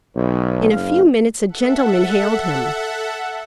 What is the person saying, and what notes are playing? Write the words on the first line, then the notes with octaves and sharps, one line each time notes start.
In a few minutes a gentleman hailed him.
B1
F#1 F5
A4 E5 F#5